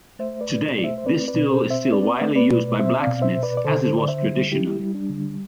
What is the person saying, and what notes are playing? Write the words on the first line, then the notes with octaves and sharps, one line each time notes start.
Today, this tool is still widely used by blacksmiths as it was traditionally.
A3 C5 E5
B4 D5
B2
A3 D5
C5 E5
C5
C4 B4 D5
B4 D5
B2
A4 C5
C4
C5 E5
C4 B4 D5
A3
B4 D5
B2
C4 C5 E5
D5 F5
B2
C5 E5
B2
B4 D5
D5
D3 A4 C5
D3 D5
C5 E5
G3
G3 E4 G4
G3
D4
D3